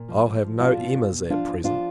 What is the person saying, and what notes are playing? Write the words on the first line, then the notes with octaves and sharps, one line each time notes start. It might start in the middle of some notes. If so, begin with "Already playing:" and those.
I'll have no Emmas, at present.
Already playing: A#2
F3
F3
F3
B2 D4 F4
B2
B2
B2
F3 D4 F4
F3
F3 D4 F4